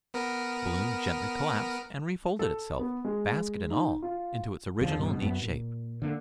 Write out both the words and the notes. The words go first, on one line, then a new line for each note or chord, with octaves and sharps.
The balloon gently collapsed and refolded itself, basket and all, into its original neat shape.
B3 A#4
A4
B3
G#3
D#4
F4
E2 D3 F3
C#2 G2 B2 C#4
F#2 B3
A#2
D3 A#3